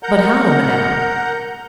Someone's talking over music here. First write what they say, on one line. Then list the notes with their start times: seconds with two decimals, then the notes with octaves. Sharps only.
"But how, madame?"
0.03 A#4 F#5 A#5 G6